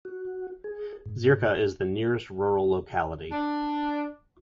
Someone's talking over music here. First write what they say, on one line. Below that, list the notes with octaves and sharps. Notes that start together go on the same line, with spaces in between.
Zirka is the nearest rural locality.
F#4
G#4
G#2
D4